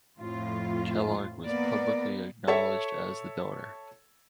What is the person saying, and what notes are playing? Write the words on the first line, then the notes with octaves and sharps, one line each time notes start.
Kellogg was publicly acknowledged as the donor.
F2 A2 F4
A#3 B3 A#4 D5
A4 C#5 E5